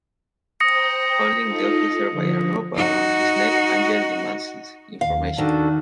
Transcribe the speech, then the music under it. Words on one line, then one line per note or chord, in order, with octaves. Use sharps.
Holding the officer by a rope around his neck, Angel demands information.
C5 G5 A#5 D#6 A#6 C#7
D#4 F4 A4
D3 F3
D#4 F#4
D#2 F5
D#3 D4 F#4 A4